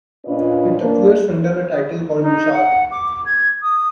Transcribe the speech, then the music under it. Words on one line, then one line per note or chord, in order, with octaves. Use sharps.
It appears under a title called vichar.
A#2 C#4 D4 F4 B4 D#5
A#3 D4
D#4
F#5
D6
G#6
D#6